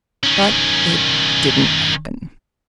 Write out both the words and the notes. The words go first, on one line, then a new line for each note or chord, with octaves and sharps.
But it didn't happen.
D#3 C#4